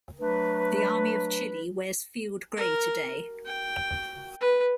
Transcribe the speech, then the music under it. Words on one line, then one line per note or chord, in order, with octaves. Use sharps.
The Army of Chile wears field grey today.
F#3 A3 D4 B4
A#4
G5
B4